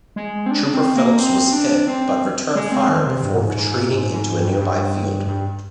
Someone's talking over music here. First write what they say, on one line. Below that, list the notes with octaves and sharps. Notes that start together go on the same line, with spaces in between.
Trooper Phillips was hit but returned fire before retreating into a nearby field.
G#3
C4
D4
C4
A#3
C4
D4
C4
G#3
C4
D#3
C3
G2
A#2
G#2
G#2
A#2
G#2
G#2
G2
G2
G2